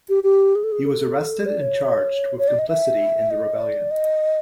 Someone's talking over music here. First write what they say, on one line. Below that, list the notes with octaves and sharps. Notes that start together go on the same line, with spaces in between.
He was arrested and charged with complicity in the rebellion.
G4
G4
G#4
A4
G#4
A4
D5
C#5
C#5
D5
D#5
E5
D#5
D5
D#5